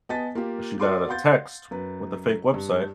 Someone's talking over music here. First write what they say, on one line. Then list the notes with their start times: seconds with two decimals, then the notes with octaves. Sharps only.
she got a text with a fake website
0.09 B3 D#5 G#5 A5 A6 B6
0.35 A#3 F4 G4
0.80 F#4 A#4 D5 C6 D6
1.08 F5 F#5 C6 G6 A6
1.71 F#2 B4
2.54 G2